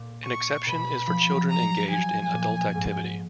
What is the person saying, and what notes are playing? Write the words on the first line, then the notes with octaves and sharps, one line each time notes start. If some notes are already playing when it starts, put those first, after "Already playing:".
An exception is for children engaged in adult activity.
Already playing: A#2
C#6
B2 B5
F3
F#3
A#5
F3 G#5
A#2
G#2